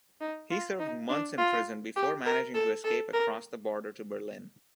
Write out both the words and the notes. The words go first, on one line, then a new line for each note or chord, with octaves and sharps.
He served months in prison before managing to escape across the border to Berlin.
D#4
F4
D#4
D4
F4
G4
A#4
A4
A4
A#4